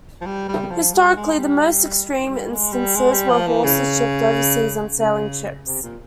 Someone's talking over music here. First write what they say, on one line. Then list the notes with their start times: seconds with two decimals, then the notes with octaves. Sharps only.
Historically, the most extreme instances were of horses shipped overseas on sailing ships.
0.21 F3
0.26 G3
0.49 G3
0.71 F3
0.94 G3
1.16 G#3
1.38 G3
2.28 G3
2.51 G#3
2.73 G3
2.96 G#3
3.13 G3
3.29 F3
3.47 E3
3.63 C#3
4.98 C#3
5.66 C3
5.83 A#2